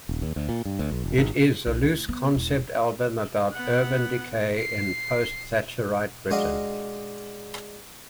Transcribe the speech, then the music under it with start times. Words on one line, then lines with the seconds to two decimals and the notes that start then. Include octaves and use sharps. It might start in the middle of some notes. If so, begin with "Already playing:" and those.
It is a loose concept album about urban decay in post-Thatcherite Britain.
0.09 D#1
0.22 D#2
0.36 D2
0.49 A#2
0.65 G2
0.79 D2
0.91 B1
1.04 E1
1.18 G#1
1.66 B1
1.83 D2
2.09 B3
2.35 E1
3.53 B3 F#5
4.57 C7
6.31 G#3 D4 F#4 D#5 F5